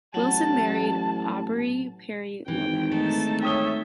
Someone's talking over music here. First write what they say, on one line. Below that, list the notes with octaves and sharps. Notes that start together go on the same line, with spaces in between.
Willson married Aubrey Perry Lomax.
A1 F#3 A5
G#1 E3 G5
A3 D#4 A5
C#5 E5 G5 D#6 G7